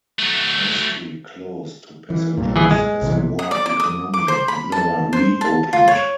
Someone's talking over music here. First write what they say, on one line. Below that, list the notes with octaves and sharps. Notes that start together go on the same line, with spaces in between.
High Street closed to passengers as a war economy and never reopened.
F#3 A3
E3
B1 G2 A#2
E3 G#4
G#3
B1 C3 E3
D#6
D5
D6
D#6
D6
C5
B5
A5
C5
A5
F4
C#5